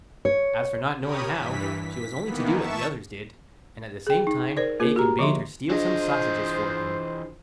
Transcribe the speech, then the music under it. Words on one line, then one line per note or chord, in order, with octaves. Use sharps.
As for not knowing how, she was only to do what the others did, and at the same time Hacon bade her steal some sausages for him.
C#5
G4 A#4 C#5 B5 D#6
G2 E3 B6
B6
D#3 E3 A#3 B3
E5 A5 C#6 E7
G#4 G5
D#4
A#4 C5 D5
A#3 F4 G#4 A#4
F#4 G4 A#5
D3 F3 E5 C6
E3 D4 F4 G#4 C5 D#5